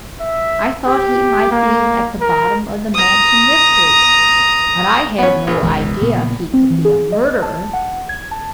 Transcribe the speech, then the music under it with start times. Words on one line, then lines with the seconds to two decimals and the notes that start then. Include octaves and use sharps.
I thought he might be at the bottom of the Mansion mysteries, but I had no idea he could be a murderer.
0.20 E5
0.87 G4
1.51 A#3
2.21 A#4
2.95 A#5 D#6
5.18 B3 C#4
5.47 A#1
5.63 E1 C#2 E3
6.01 A#2 C#3 B3
6.54 C4
6.70 E3
6.85 G#4
7.12 D#5
7.42 A5
7.73 F#5
8.09 G#6
8.31 A5